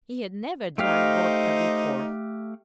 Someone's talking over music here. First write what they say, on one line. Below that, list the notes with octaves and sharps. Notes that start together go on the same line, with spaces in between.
He had never drunk vodka before.
A3 D#4 G4 C5 D#5 F5